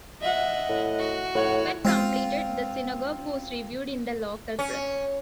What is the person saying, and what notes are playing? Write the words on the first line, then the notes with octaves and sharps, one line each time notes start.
When completed, the synagogue was reviewed in the local press.
D#5 E5 F#5
A2
F#4
A2 C#5 F#5
G#3 C4 F4
C#4